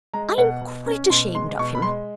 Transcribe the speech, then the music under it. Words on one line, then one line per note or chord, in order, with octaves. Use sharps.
I am quite ashamed of him.
G#3 A#5
B2 F#5
B2
C#4
B2 C6
G#3 C6
B2 C#6
B5
G#3 C6